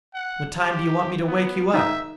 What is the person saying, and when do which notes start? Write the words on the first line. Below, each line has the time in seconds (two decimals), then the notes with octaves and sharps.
"What time d'you want me to wake you up?"
0.14 F#5
0.61 G4
1.27 B3
1.74 D#4 E5